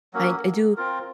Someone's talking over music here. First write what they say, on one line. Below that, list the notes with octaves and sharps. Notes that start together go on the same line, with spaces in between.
I I do
F#3 A#3 C#4
C4 F4 A#4